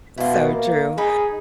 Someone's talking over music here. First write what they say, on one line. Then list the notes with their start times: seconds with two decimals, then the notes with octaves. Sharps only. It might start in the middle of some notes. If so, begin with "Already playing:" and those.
So true.
0.18 B2 E4 F4
0.51 A#3
0.98 D#4 G#4 B5